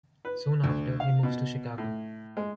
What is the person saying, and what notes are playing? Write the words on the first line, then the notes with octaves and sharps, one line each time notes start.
Soon after, he moves to Chicago.
B4
D2
F5
B2
A2
G#3